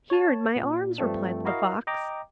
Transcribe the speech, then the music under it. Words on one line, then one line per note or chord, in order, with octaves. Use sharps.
'Here, in my arms,' replied the fox.
C#5 A5
A#2
G2 F3 A3 C4 D4
E4 F#4 A#4 D#5 F5
D#5 G5 A#5 D6